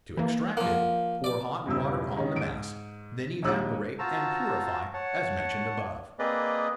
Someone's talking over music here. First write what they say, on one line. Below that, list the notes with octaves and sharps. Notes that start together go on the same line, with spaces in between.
To extract it, pour hot water on the mass, then evaporate and purify, as mentioned above.
E3 A#3
F3 A#3 F#5
D5 D6
E1 E2 G2 C#3 E6
D#3 G#3 C#4
G#2 D7
A#1 D#2 G#3 D6 E6 F#6
F4 F#4 C5 A5 A#5 E6
C#5 F#5 A5
A#3 C4 G#4 B4 D5 D#5